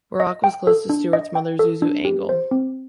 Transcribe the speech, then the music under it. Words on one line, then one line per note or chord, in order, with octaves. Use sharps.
Buarque was close to Stuart's mother, Zuzu Angel.
D#5
G5
A4
D4
D#5
G5
A4
D4
G4
C5
C4